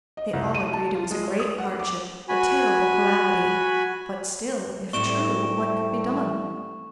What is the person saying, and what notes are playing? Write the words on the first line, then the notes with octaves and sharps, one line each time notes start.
They all agreed it was a great hardship,--a terrible calamity; but still, if true, what could be done?
D#5
C2
D#7
A5
F4
G#3
C#5
D#6
F#5
D6
F#4 G#5 B5
A2 G3 A3 C4 D5 C#6 E7